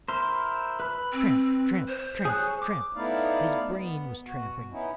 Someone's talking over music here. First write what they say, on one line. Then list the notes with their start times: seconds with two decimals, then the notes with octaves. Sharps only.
Tramp, tramp, tramp, tramp; his brain was tramping.
0.08 E4 A#4 C5
0.80 B4 B5
1.13 C4
1.88 C5
2.25 G#4 C#5 F#6
2.62 D6
2.94 A3 B3 D#4 E4 D5 F5
3.75 B3
4.26 B2 F#4
4.71 B3 C#4 D#4 E4